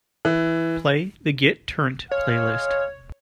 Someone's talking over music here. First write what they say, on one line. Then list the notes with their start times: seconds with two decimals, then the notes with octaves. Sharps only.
Play the Get Turnt playlist.
0.25 E3
2.11 G#3 C#5 F5